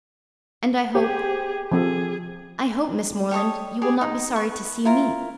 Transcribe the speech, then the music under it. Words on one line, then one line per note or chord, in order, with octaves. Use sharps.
"And I hope--I hope, Miss Morland, you will not be sorry to see me."
G4 G#4 C5
F3 C4 G#4 A4
G4 A4 C#5 D#5
G4 G#4 D5 G#5
D#4
B4 C#6
E4 F4 A#4